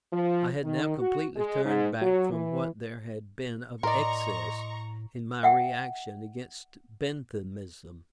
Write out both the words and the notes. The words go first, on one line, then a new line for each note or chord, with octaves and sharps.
I had now completely turned back from what there had been of excess in my reaction against Benthamism.
F3
D#3
F#4
G#3
G#2
F#3
E3
A2 A#4 D5 D#5 A#5 C6 C#6
E5 F#5 G5